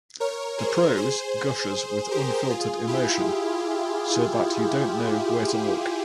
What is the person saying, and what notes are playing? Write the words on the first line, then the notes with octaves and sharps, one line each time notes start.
The prose gushes with unfiltered emotion so that you don’t know where to look.
A#4 C#5
G#4 C5
G#4 C5
G4 A#4
F4 G#4
E4 G4